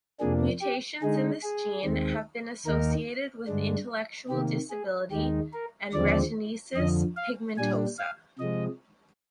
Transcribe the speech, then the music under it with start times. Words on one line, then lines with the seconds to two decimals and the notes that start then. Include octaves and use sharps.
Mutations in this gene have been associated with intellectual disability and retinitis pigmentosa.
0.20 F2 C3 F3 A#3 D4 G#4
0.61 G4
1.02 D3 G#3 D#4 G#4
1.43 G#4
1.84 D#2 D#3 G#3 C4
2.66 D#2 D#3 A#3 D#4 A#4
3.47 G2 D3 G#3 D4
4.29 C3 D#3 A#3 G4
4.70 G#4
5.11 D#2 D#3 G#3 D#4 G4
5.53 A#4
5.94 D#2 D3 F3 G#3 C4 D5
6.75 F2 D3 F3 D#5
7.17 F5
7.57 A#2 G3 D4 G#5
7.98 F5
8.39 C3 F3 G#3 D#5